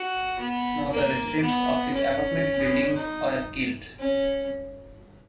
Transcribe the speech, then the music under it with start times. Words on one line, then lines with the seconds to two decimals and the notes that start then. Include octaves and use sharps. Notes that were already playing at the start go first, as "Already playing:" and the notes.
No other residents of his apartment building were killed.
Already playing: F#4
0.39 B3
0.91 A#3
1.42 B3
1.94 C#4
2.96 D#4
3.99 C#4